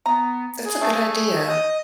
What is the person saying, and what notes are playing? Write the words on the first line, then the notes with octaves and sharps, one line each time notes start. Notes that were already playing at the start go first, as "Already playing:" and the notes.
That's a good idea.
B3 A#5
G#4
A3 D4 A4
D#5